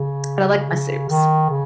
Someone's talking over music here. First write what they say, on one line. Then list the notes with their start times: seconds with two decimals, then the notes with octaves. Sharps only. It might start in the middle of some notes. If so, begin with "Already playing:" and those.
but I like my soups.
Already playing: C#3
0.70 C#3
1.09 D#3
1.50 C#3